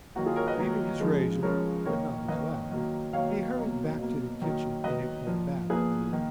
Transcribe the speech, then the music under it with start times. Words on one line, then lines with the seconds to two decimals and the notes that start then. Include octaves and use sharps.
Leaving his razor, but not his lather, he hurried back to the kitchen in a combative mood.
0.15 D#3 F#3 A#3 F#4
0.26 F4 G#4
0.36 A#4 C#5
0.47 B4 D#5
0.58 D#3 F#3 A#3
1.00 C#3 F3 G#3
1.43 C#3 F3 G#3 A#4 C#5
1.86 D#3 A#3 A#4 C#5
2.28 D#3 A#3 B4 D#5
2.71 D#3 F#3 A#3
3.13 D#3 F#3 A#3 C#5 F5
3.57 B2 F#3 A#3
3.99 B2 F#3 A#3
4.42 D#3 F#3 A#3
4.84 D#3 F#3 A#3 B4 D#5
5.27 A#2 F3 A#3
5.70 A#2 F3 A#3 G#4 B4
6.13 D#3 A#3